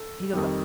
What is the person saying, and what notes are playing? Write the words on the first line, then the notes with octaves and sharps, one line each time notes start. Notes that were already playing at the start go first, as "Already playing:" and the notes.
he goes, uh
Already playing: A4
F2 D#3 G3